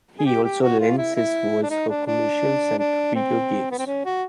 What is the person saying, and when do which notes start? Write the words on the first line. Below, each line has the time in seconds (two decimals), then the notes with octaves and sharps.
He also lends his voice for commercials and video games.
0.19 G#4
0.26 G4
0.44 G4
0.62 F#4
0.80 F4
0.97 E4
1.16 E4
1.63 D4
1.71 D#4
1.89 D4
2.07 D4
2.79 D4
3.15 C4
3.71 B3
3.79 C4
3.87 C#4
4.05 F#4